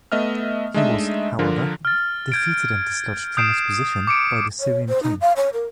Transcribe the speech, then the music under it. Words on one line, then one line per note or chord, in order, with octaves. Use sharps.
He was, however, defeated and dislodged from his position by the Syrian king.
A3 B3 D#5 E5 F6
G#3 A3 D4 D#4 D#5 E5
D3 F3 D4 F4 A#4
F6 A6
G6 G#6 D7
D#6 G6 C7 D7 E7
D6 C#7 D7
C#5
C5
D#4
F5
C#5
A#4